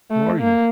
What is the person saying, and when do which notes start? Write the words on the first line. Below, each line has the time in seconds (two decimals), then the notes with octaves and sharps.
"Who are you?"
0.11 A3
0.40 A#3